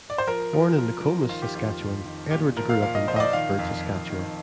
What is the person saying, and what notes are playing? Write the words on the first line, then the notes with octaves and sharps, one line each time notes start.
Born in Nokomis, Saskatchewan, Edwards grew up in Battleford, Saskatchewan.
D5
C5
F3 A#4
F3
F3
F3
D#3 F4
G4
F2 F4
F2
D#3
A#2 G4
F3 A#4
F5
A#2 F5
D#5
F3 C5
D#5
D5
D#3 F5
F2
F2
D#3